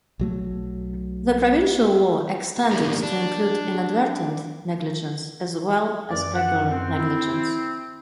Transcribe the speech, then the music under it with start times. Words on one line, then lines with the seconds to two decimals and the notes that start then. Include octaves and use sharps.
The provincial law extended to include "inadvertent negligence" as well as regular negligence.
0.19 B1 F#3 A3
2.72 A#3 B3 D4 G4 A#4
3.03 D4
6.10 F#2 E3 D5
6.34 F#5
6.69 C4
6.99 E4